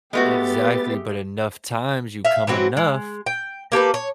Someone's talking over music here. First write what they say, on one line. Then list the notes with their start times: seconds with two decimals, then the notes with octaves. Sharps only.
Exactly, but enough times, you come enough,
0.13 G#3 A3 B3 F#4 G4 B4 A6
2.25 E5 F5
2.47 E3 F#3 C4 F#4
2.77 G#3
3.26 G5
3.72 A#3 G4 A4 B4
3.94 C#5